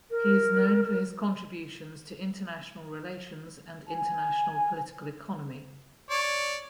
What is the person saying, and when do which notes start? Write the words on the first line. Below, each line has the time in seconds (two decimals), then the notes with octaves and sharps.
He is known for his contributions to International Relations and International Political Economy.
0.10 A#4
3.89 G#5
6.11 C#5 D5